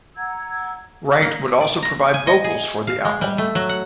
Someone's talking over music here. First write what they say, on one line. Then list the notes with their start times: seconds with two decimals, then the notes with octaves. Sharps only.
Wright would also provide vocals for the album.
0.16 F#5 A#5 E6 G#6
1.22 A#3
1.61 D5
1.82 A#5
2.14 G#5
2.27 D#5
2.44 G#4
2.87 F5
3.05 G#3
3.21 G3
3.38 A3
3.55 F#3
3.69 F#5